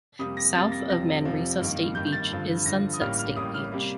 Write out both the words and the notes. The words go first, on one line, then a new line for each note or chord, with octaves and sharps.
South of Manresa State Beach is Sunset State Beach.
F2 C3 G3 A#3 D#6
A#6
F2 C3 G3 A#3 A6
A#6
F1 F2 C3 F3 A#6
F1 F2 C3 F3
G2 D#3 A#3
G2 D#3 A#3 G6
G6
A6
G2 D3 F3
G2 D3 F3 A#6
D#6
A1 A2 G3 A#3 F6
F6
A1 A2 G3 A#3 D#6
F6
C3 G3 A#3